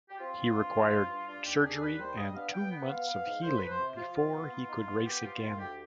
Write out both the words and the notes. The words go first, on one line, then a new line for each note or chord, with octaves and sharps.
He required surgery and two months of healing before he could race again.
G4
C4 F4
C4
G2
F3
G2
G2
D4 F4
D#2 G4
G4
D4 G#4
D#2 B4
G3 C5
D4 D#5
B3 F5
B3 G5
B3
B3 F5
B3
G#2
C2 C5
F3 B4
C5
C3
F3 F4
C3 F4
B3
B3
D#4
B3
B3 G4
B3 F4
D#3 F4
D2 G4